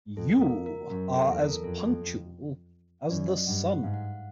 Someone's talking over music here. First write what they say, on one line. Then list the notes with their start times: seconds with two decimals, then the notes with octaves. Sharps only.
You are as punctual as the sun.
0.17 F2 A4
0.41 A#4
0.66 A#4
0.90 F#2 A#4
1.15 A4
1.27 E2
1.32 A4
1.39 A#4
1.63 F2 A4
3.10 F#2 D5
3.29 D#5
3.47 G2 F#5
3.66 F#5
3.83 G#2 F5
3.94 F#5
4.05 F5